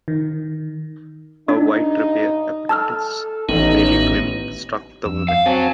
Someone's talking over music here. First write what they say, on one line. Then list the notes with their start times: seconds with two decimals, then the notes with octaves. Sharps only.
A white repair apprentice, Billy Fleming struck the woman.
0.08 D#3
1.49 G2 D4 D#4
2.69 A4 A5 E6 F6
3.49 A1 D#3 B3 C#4 D#4
5.05 F2 E6
5.28 F5
5.46 F#3 C4 G#5 A5